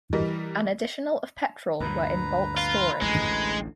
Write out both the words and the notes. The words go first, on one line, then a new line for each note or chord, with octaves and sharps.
An additional of petrol were in bulk storage.
E3 G3 A#4 D#5
D2 G2 A#2 B4 A#5
F4
A1 D2 G#3